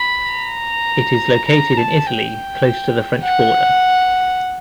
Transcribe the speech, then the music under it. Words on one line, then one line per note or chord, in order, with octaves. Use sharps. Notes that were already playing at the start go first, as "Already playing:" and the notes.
It is located in Italy close to the French border.
Already playing: B5
A#5
A#5
A5
G5
F#5